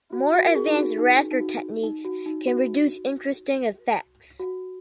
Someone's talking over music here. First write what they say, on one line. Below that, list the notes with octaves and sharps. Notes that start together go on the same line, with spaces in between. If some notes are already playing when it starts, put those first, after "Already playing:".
More advanced raster techniques can produce interesting effects.
F#4
F#4
A#4
G#4
D#4
F#4
D#4
D#4
F#4
D#4
F#4
D#4
F#4
F#4